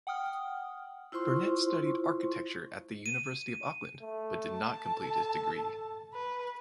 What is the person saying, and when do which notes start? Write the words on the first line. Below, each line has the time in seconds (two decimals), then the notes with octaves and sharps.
Burnett studied architecture at the University of Auckland but did not complete his degree.
0.07 F#5 G5 D#6 F6
1.12 E4 F4 C5 C6 C#6
3.06 D#7
4.02 A3
4.45 A5
4.83 A4
6.14 B4